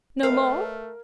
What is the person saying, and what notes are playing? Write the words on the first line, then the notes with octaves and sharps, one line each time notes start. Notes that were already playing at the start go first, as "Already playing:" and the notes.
"No more?"
A3 A#4 B4 C#5 D#5 F5